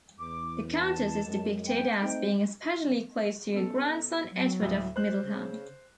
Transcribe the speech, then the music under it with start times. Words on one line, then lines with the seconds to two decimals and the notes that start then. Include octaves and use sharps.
The Countess is depicted as being especially close to her grandson Edward of Middleham.
0.18 E2 D6
0.75 A5
1.24 F#2 G#3
1.67 G5
2.02 A3 C4 D#4
3.52 B2 C#4 A4
4.30 F#3
4.60 D2 A2
4.96 C5 F#6
5.23 C#3